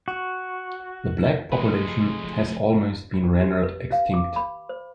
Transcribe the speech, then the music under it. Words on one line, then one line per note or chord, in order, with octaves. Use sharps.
The black population has almost been rendered extinct.
F#4
F3 G#3 A3 B4
G4
B4
F5
D6
B5
C5